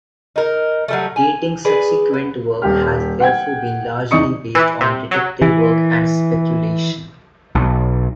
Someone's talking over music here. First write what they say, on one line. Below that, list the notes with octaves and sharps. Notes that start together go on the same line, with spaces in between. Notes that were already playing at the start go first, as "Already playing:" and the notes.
Dating subsequent work has therefore been largely based on detective work and speculation.
D#4 A#4
F#3 G3 A3
G#5
G#4 B4 D5
B3
D#1 G3 G4 F6
F#5 G5 G#6
E2 D4 D#4 C#6 D#6 C#7
E3
C3
F#3
E3
B1